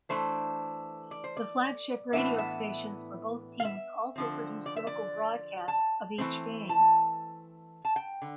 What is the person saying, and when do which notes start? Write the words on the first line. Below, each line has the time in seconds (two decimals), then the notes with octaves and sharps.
The flagship radio stations for both teams also produced local broadcasts of each game.
0.09 E3 A3 D4 C5
1.11 D5
1.24 C5
1.37 D5
2.13 A2 E3 B3 D4 E5
2.38 E5
3.60 F5
3.65 E5
4.16 D3 F3 C4
4.66 D5
4.76 E5
4.87 D5
5.68 A5
6.18 E3 A3 C4
6.69 A5
7.85 A5
7.96 G5
8.22 D3